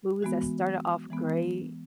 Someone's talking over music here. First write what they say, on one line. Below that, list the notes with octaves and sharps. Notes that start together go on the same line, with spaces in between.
movies that started off great.
E3 G#3 B3 F#4
E3 G#3 B3